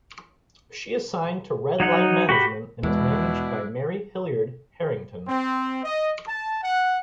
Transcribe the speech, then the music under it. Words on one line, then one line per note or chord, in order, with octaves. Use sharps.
She is signed to Red Light Management and is managed by Mary Hilliard Harrington.
F#3 D#4 F#5
F#4 G4 B5
E2 B2 G#3 D4 E4
C4
D#5
A5
F#5